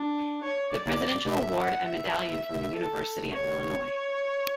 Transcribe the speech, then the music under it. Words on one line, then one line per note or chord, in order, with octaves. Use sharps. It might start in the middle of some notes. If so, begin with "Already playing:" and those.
The Presidential Award and Medallion from the University of Illinois.
Already playing: D4
C#5
D5
E5
F#5
E5
A4
C#5
C#5